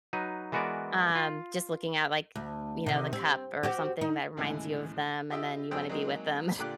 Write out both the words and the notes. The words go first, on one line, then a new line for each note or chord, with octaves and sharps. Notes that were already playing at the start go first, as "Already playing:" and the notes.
um, just looking at, like, you know, the cup or something that reminds you of them and then you wanna be with them,
F#3 D#4 B4
E3 G#3 B3 F#4 A#4 D5
F4
D2
C3 D#3
C4
C4 F#4 G4
D#4
D#2 A2 C#3 E3 G#3
F4 G4 D#5 E5 G5 E6
G#1 F#3 G#4 C5 G5 E6
F#3 G#3 A#3 C4 D#4 G#4
A#2 D3 F4 G4 D5 F#6